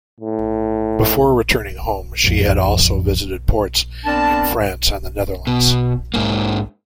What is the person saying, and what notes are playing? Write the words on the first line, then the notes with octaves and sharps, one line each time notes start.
Before returning home, she had also visited ports in France and the Netherlands.
A2
A1 F2
B3 C4 D4 A#4 D5 A5
B2
G#2 A#3